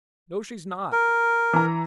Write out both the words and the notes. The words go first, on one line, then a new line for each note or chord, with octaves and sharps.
"No, she's not."
A#4
E3 A#5